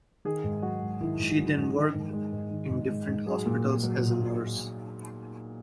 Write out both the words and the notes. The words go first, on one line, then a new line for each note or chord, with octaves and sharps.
She then worked in different hospitals as a nurse.
D#3 G#4
G#2
F#3 F#4
G#2
D#3 E4
G#2
F#3
G#2
D#3
G#2
G#3
G#2
D#3
G#2
G#3
G#2
F#3 G#4
A#2
A#2
F#3